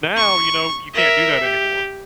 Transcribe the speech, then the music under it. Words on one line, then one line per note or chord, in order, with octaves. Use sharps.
Now, you know, you can't do that anymore.
C#6
A#4 E5
G4